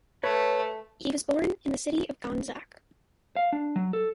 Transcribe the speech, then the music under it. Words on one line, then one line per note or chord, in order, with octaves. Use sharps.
He was born in the city of Gandzak.
A3 B4 C#5
F5
D4
F#3
A4